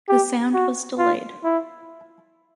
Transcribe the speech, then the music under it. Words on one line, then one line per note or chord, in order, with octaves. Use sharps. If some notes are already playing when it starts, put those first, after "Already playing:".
The sound was delayed.
G4
F#4
F4
E4